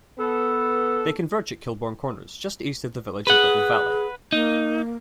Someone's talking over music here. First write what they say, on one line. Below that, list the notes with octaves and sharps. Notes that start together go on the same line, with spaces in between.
They converge at Killborn Corners just east of the village of Little Valley.
B3 A4
G#4 B4 F#5
A#3 D#4